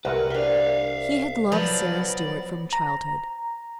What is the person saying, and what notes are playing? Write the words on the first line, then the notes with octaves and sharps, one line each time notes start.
He had loved Sara Stuart from childhood.
C2 F#4 A#4 B4 F#5
D4 B4 E5 F5
F3 F#3 B3 D5
A#5